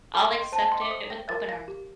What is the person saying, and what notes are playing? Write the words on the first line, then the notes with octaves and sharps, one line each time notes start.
I'll accept it with open arms.
A4 D6
D#5 G5 C6
C5 A5
A5
D#5 G5 C6
D6
C5 D#6
G5 A#6
A#4 A6
F5 A#6
G4